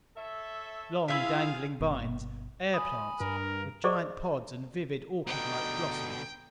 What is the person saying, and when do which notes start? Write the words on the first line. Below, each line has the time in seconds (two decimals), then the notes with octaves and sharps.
Long, dangling vines; air plants, with giant pods and vivid orchidlike blossoms.
0.16 A4 C#5 E5
1.08 E4 F4 G#4 E5 F5
1.80 G1 B2
2.74 G#5 B5 D#6
3.20 G2 A#4
3.84 G#4 C5 D5 D#5 C#6 D6
5.27 B2 D3 D#4 G5